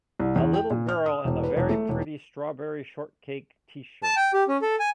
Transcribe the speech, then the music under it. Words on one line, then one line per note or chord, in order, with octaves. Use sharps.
A little girl in a very pretty strawberry shortcake tshirt.
C2
E2
G5
A#2
F6
D#6
E1
B4
E1
A3
E1
A5
G5
G4
C#4
A4
G#5